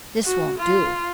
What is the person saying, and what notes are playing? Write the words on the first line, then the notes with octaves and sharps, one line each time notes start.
This won't do.
F#4
F4